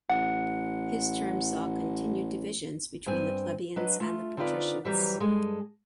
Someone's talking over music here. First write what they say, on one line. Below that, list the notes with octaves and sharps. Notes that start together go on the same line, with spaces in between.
His term saw continued divisions between the plebeians and the patricians.
A1 F#5
G2 C4 G#5
F#3 D4 B4 D#5
A3 F4
D3 C4 D#4 F4 B4 D5
F2 E3 F#3 G3 B4 A#5
G2 G#3 A4 G#5